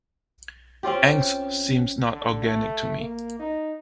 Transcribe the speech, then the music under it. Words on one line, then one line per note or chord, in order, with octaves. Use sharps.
"Angst" seems not organic to me.
C4 C#4 F4 G4
D3
A3
A#3
D#4